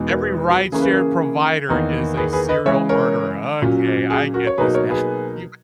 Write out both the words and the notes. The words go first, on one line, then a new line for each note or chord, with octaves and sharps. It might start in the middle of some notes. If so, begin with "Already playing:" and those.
every rideshare provider is a serial murder, okay, I get this now. You w
Already playing: E2 B2 G#3 B3 D#4
F#4 A#4
F#4
C#3 E3 A#3 C#4 G#4
B4
A#4
G#4
E2 D#3 A#3 D#4
G#4 B4
G#4 B4
B4 D#5
C#3 E3 G#3 C#5 E5
A#4 C#5
A#2 F#3 C#4
G#4
F#4 A#4
C#5
B2 F#3 A#3 D#4 G#4 B4
A#4 C#5
G#4 B4